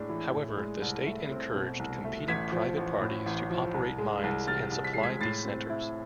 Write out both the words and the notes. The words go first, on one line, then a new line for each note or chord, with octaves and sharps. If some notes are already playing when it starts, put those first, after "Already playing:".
However, the state encouraged competing private parties to operate mines and supply these centers.
Already playing: A2 G#3 D4
E3
A2
G#3
C2
A3
C4
B2
C2
A3
A1 G#6 B6
F3
A1
A2
A1
F3
C2
G#3
C2
C3 F6 A6
C2
B6
G#3 C7
G#6 B6
A2 A6 C7
C4
E4